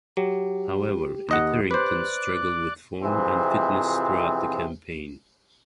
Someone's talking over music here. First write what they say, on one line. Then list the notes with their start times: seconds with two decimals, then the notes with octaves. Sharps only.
However Etherington struggled with form and fitness throughout the campaign.
0.17 F#3 G4
1.29 D#2 D#5 F#5
1.71 B4 C5 D5 D6 F#6
3.03 F2 C3 E3 F3 C4 G#4